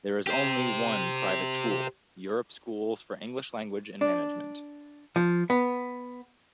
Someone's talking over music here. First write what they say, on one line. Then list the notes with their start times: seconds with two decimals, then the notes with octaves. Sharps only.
There is only one private school, Europe Schools for English Language and Management.
0.27 G4 C5
4.01 D4
5.16 F3
5.50 B3